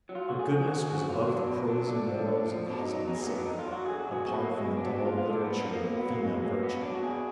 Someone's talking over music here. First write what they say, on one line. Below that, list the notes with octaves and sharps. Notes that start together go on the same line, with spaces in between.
Her goodness was above the prosy morals of the husband-seeker, apart from the dull literature of female virtue.
F#3
F4
D3 F#4
G#4
F3 F#4
G#4
D3 F#4
G#4
F3 F#4
F#4
B2 F4
F#3 D4
B2
F#3 D4
D3 D4
F3
D3
F3
B2 D4
D#4
F#3
D#4
B2 D#4
G#3
A#3
F#3 B3
D4
D3 D#4
F4
F#3
F#4
D3 G#4
F#4
F#3
G#4
B2 F#4
A#3
F#3
G#3
B2 G#3
D4
F#3 B3
D4
A#2 F4
F4
F3
D4
A#2 B3
F3 A#3
B2 A#3
B3
F#3
A#3
B2 G#3
F#3 A#3
B2 B3
F#3 D4
F#4
B2 G#4